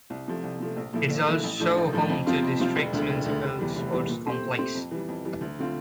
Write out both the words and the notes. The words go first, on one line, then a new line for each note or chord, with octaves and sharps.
It is also home to the district's municipal sports complex.
C2
C3 F3 A3
C2
C3 F3 A3
A#1
A#2 F3 A3 E4
A#1
A#2 F3 A3 E4
A1
A2 F3 A3 D4
A1
A2 F3 A3 D4
F2
C3 F3 C4 F4
F2
C3 F3 C4 F4
E1
D2 D3
E1
D2 D3
F1
E2 E3 G3
F1
E2 E3 G3
A#2
A3 C4 G4 C5
A#2
A3 C4 G4 C5
F2
E3 G3
F2
E3 G3
D2
D3 A3 C4 F4